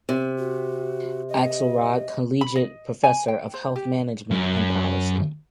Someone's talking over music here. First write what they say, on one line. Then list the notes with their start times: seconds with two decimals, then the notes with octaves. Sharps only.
Axelrod Collegiate Professor of Health Management and Policy.
0.09 C3
0.38 F#4
1.29 D#5
2.41 B5
2.56 D#5
3.04 G#5
3.28 G5
3.54 C5
3.76 G4
4.31 F#2